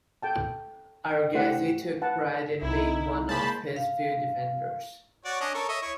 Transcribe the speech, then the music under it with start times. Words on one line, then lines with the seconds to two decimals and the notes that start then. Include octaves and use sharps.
Arghezi took pride in being one of his few defenders.
0.22 A4 G5 A5
1.34 A3 E4 G4 C5 F#5
2.01 B4 F#5 A5
2.62 C2 D#4 E4
3.29 G#3 A#3 C5 A5 B5
3.76 F5
5.25 F#4 C#5 D5
5.41 C#4 D4 D#5
5.54 A4 A#4 C#5
5.69 C#5 D#5 E5
5.82 E4 C#5